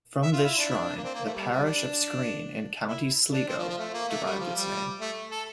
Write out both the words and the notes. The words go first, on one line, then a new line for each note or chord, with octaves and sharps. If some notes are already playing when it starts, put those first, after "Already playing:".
From this shrine the parish of Skreen in County Sligo derived its name.
E5
F4
E4
D4
E4
D4
A#3
C4
A#3
A3
G3
G3
D4
E4
D4
C4
F3
F3
A3
A#3
A3
G3
F3
G3
A3
A4